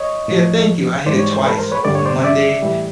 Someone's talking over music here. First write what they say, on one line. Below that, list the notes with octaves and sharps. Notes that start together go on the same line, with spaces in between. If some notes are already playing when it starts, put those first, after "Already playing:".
Yeah. Thank you. I hit it twice. So on Monday,
Already playing: C#5 D#5
A2 F3
G#2 E3 G3 C5 D5
C#5
C5
A4 B4
A#4 C5
B4 C#5
G2 D3 G3 D5
C#5
C5 D5
D5 E5
A2 E3 G3